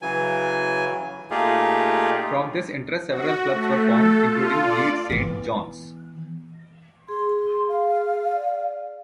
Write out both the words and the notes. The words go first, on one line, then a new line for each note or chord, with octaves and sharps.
From this interest several clubs were formed, including Leeds Saint John's.
C#3 E3 F#3 G#5
A#2 A3 D#4 F4 G4 G#4
F#4
A3
A4
F4
D5
E3 B3
G#4 C6
F5
D5